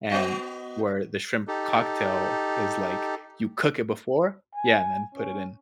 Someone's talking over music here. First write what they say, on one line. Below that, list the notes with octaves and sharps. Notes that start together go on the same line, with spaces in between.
and where the shrimp cocktail is like, you cook it before Yeah, and then put it in.
B3 F#4 D#5
D#4 G4 A4
G#5
C#4